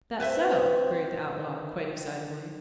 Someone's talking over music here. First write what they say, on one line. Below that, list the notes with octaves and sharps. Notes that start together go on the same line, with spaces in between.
"That so?" queried the outlaw, quite excitably.
C4 B4 C5 E5
D#3